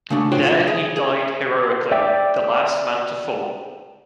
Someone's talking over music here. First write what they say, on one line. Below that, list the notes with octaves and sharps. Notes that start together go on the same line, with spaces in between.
There he died heroically, the last man to fall.
C#3 A3 D4
F4 F#4 G#4 C5 C#5 G5
G#4
G#4
D5 E5 G5 D6